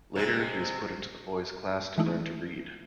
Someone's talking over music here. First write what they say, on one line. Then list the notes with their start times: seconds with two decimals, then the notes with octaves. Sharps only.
Later, he is put into the boys' class to learn to read.
0.16 C3 G#3
1.98 E3 G#3 A3 D#4 E4